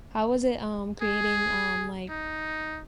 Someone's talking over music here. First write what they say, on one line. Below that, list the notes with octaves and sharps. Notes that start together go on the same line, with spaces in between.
How was it, um, creating, um, like,
G#4
D#4